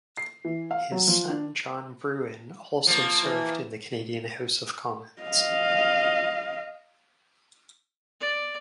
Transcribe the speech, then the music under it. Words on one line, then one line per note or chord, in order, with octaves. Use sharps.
His son John Brewin also served in the Canadian House of Commons.
C7
E3
F5
F#3
F3
D4
F3 A#3
E3
D#5 F5
D5